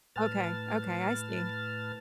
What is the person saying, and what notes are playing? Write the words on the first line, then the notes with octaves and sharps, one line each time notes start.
Okay. Okay, I see.
A2 B4 A5 F6 A6